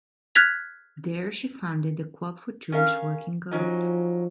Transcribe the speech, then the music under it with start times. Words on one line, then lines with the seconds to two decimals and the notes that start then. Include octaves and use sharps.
There she founded the Club for Jewish Working Girls.
0.35 F6 F#6 G#6 A6 B6 F7
2.72 C#4 A#4 F5
3.51 F3 F#3 C#4 D#4